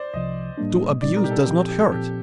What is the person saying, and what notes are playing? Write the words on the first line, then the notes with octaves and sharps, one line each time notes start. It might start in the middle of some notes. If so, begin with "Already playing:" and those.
To abuse does not hurt.
Already playing: C5 D5
C2 C3 F3 D#5
A2 G3 A#3 D4
A#2 G3 C4 D#4 D5
A#4
G4
A4
A#2 F3 C4 G4
A4
G4
A4
A#2 F3 C4 G4